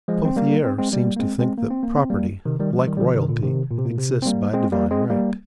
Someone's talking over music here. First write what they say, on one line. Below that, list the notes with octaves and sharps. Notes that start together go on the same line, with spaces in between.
Pothier seems to think that property, like royalty, exists by divine right.
F3 G#3
C4
G3 A#3
C4
G#3 C4
G3 A#3
A#3
G#3 C4
G#3 C4
A#3
C4
A#3
C4
G3 A#3
C3 D#3
D#3 G3
F3 G#3
D#3 G3
G3
D3 F3
C3 D#3
A#2 D3
C3 D#3
A#2
C3
A#2
C3
C4
G3 A#3
G#3 C4
G3 A#3
G#3 C4
G3 A#3